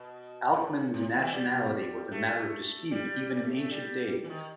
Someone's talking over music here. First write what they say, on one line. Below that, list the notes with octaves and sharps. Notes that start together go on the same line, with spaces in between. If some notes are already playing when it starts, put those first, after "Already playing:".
Alcman's nationality was a matter of dispute even in ancient days.
Already playing: B2
A2
A2
D#3
E3
G3
A3
G3
G3
A3
A3
G3
E3
D#3